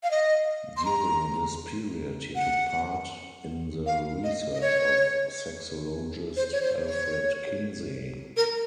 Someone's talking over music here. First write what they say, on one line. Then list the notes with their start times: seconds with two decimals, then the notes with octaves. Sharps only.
During this period he took part in the research of sexologist Alfred Kinsey.
0.03 F5
0.11 D#5
0.77 C6
0.85 A#5
2.35 F#5
3.86 F5
4.24 D#5
4.53 D#5
4.61 C#5
6.37 C5
6.52 C#5
6.62 C5
6.87 C#5
8.37 A#4